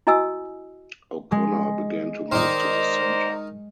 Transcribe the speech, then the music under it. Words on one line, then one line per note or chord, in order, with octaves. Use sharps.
O'Connor began to move to the center.
E4 F#4 D#5 G#5 D#6 E6
G#3
D#3 D#4 C5 D5 A#5